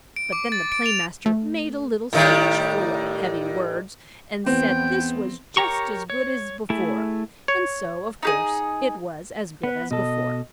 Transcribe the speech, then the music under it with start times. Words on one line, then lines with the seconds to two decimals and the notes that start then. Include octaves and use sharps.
But then the Play-master made a little speech, full of heavy words, and said this was just as good as before--and so, of course, it was as good as before.
0.16 D7
0.32 D6
0.52 A6
0.72 D7
0.86 F7
1.26 A3
2.13 A2 D#3 G3
4.46 E2 B3 C4 G5
5.57 G4 A#4 C#5 A#5 C#6
6.10 C#5
6.70 A3 E4 G#4
7.48 C#5
8.23 D#4 G4 G#4
9.63 B3 B4
9.91 B2 A4 D#5